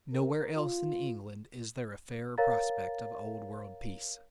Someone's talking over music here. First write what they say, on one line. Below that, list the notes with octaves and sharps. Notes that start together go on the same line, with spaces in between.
Nowhere else in England is there a fairer prospect of old-world peace.
A#4
F4
A#4 C#5 F5 A#5 A6